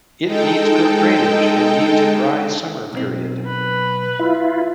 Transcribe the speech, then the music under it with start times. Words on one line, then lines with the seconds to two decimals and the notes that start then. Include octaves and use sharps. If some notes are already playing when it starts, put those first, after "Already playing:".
It needs good drainage, and needs a dry summer period.
0.23 G#3 D#4 A4 G5
2.93 B1 C4
3.46 B4
4.19 E4 F4